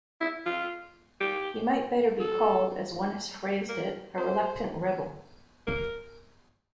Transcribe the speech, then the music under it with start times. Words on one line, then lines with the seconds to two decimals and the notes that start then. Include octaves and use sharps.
He might better be called, as one has phrased it, 'a reluctant rebel.
0.21 E4
0.46 F4
1.20 G4
2.20 A4
3.68 A#4
4.18 C5
5.67 A#4